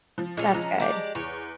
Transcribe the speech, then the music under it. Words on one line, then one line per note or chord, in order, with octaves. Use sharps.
That's good.
F3
A#2 G#3 C#4
F3 A#5
G#3 G4 D5
E2 C#5